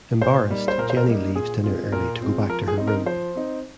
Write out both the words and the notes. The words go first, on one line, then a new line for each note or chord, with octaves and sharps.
Embarrassed, Jenny leaves dinner early to go back to her room.
A#2 C5
G3 A#3 D#4
C5
A#2 A#4
C5
A#4
G3 A#3 D#4
A#2 G#4
G#3 C4 F4
A#2 A#4
G#3 C4 F4
F3 A#4
G#4
C4 D#4
A#4
F3 C5
C4 D#4